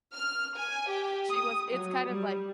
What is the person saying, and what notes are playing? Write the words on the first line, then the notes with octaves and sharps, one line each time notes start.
She was it's kind of like
F6
G#5
G4
D#6
F#3
G3